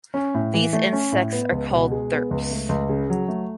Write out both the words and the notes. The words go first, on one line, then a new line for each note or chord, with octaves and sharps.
These insects are called thrips.
C#4
A2
E3
A3
C#4
A2
B3
C#2
B2
G#3
B3
C#2
A3
C#2
C#3
F#3
A3